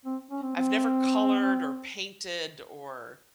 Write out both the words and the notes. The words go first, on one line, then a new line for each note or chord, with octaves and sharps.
I've never colored or painted or
C4
C#4
C4
C4